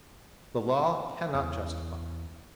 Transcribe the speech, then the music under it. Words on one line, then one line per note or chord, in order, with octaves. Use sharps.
The Law cannot justify.
E2